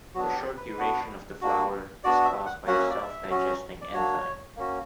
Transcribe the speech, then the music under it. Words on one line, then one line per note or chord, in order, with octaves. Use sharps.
The short duration of the flower is caused by a self-digesting enzyme.
F#3 B3 D4 F#4
G4
B4
B3 D4 F#4
A#3 D4 F#4
B3 D4 F#4 D5
E5
F#5
F#3 A#3 C#4 F#4 F#5
E5
D5
E5
F#3 C#4 F#4
D5
F#3 A#3 D4 F#4 C#5
A#3 C#4 F#4